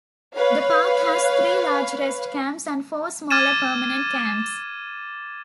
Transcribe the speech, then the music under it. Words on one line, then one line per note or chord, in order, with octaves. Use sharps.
The park has three large rest camps and four smaller permanent camps.
B4 C#5 F5
D6 F6 G#6 A6 D#7 E7